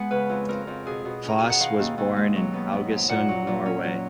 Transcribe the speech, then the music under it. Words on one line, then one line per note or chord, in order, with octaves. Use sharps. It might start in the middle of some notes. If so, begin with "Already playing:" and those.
Fosse was born in Haugesund, Norway.
Already playing: G#3 B3 F#5 G#5
C#3 B4
F2
F2 A#4
F2
B2 G#4
B2
C#4 A#5
B2 G#5
F#5
D#3 F5
D#2
D#2
G#3
F#3
B3
B3
G#2
A#2 F#5
F#3
A#2
C#4
F#3